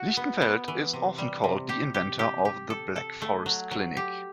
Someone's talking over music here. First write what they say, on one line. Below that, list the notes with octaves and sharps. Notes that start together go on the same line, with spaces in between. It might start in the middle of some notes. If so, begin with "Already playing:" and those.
Lichtenfeld is often called the inventor of "The Black Forest Clinic".
Already playing: F#4
B3
B3
E3
C3
G3
C3
G4
G4
G4
G4
A4
A4
A3
F#3
F#3
G4